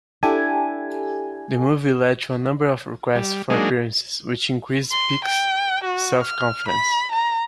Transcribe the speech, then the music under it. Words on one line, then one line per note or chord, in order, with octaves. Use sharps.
The movie led to a number of requests for appearances, which increased Peek's self-confidence.
D4 E4 G4 A4 G#5
G3
F#3 G#3 A#3 D4 D#4 G#4
C6
G5
F#4
F6
B5
A#5